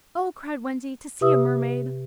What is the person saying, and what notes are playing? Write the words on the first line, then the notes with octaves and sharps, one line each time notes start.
"Oh," cried Wendy, "to see a mermaid!"
C3 G4 B4 E5 D#6 E6